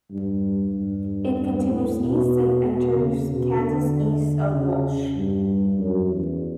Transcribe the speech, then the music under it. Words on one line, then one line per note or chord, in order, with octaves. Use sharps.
It continues east and enters Kansas east of Walsh.
G2
G2
G2
A2
B2
B2
C#3
B2
D3
C#3
G2
F#2
E2